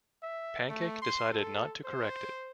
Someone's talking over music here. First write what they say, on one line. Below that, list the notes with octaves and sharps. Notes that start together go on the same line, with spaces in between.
Pancake decided not to correct it.
E5
A3
C6
A4
C5